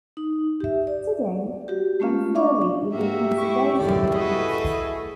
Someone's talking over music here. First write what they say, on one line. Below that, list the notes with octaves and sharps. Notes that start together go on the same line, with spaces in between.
Today Ranfurly is a conservation area.
D#4
G4 E5
D5
F#4 G4
G#3 A3 C#4 F4
D4 D5 F5 C#6 D6
G#2 A#3 F#4 G4 E5
G#3 E4 C#6
F#2 D#3 E3 A3 E4 D5
F#4 G#4 B4 D#5